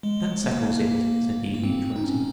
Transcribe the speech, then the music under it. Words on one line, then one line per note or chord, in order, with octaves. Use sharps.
"That settles it," said the Idiot, rising.
G#3
A#3
A#3
C4
D#4
C#4